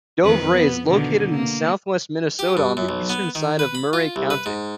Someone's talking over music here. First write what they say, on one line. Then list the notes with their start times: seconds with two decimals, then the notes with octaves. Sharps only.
Dovray is located in Southwest Minnesota on the eastern side of Murray County.
0.23 F2 D#3 B4
0.53 B3
0.87 B2 D3 D#3
1.29 A#3
2.39 G4
2.57 G2
2.77 F#2
2.89 B1
3.09 B3
3.35 D#3
3.59 B4
3.75 B5
3.93 F4
4.16 C2
4.30 B4
4.46 G#2